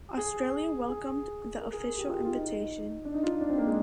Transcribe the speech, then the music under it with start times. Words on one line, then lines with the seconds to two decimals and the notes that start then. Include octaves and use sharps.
Australia welcomed the official invitation.
0.17 G#4
0.89 G#4
1.61 A#4
1.73 G#4
1.86 A#4
1.97 G4
2.06 F4
2.15 G4
2.24 F4
2.34 D#4
3.05 D4
3.14 D#4
3.23 F4
3.31 D#4
3.41 D4
3.50 C4
3.58 A#3
3.67 G#3